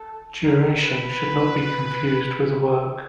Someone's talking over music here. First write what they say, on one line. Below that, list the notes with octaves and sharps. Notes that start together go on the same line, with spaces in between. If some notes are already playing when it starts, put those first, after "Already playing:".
Duration should not be confused with work.
Already playing: A4
A#4
B4